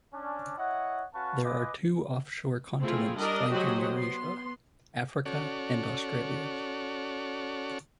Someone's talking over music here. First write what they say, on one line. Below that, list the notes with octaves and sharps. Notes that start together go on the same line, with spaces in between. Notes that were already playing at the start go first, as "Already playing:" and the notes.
There are two offshore continents flanking Eurasia: Africa and Australia.
C#4 D4
E4 C#5 D#5 F#5
C#4 F#4 B4 F5 A5 C#6
F4 B4 D#5 G#5 D6
A3 C4 E4 F4 G#4
G3 D4 A#4 D5 D#5
F#3 G#3 F#4 G4 C5 D#5
B3 C6
C#4 F#4 A4 C#5 D5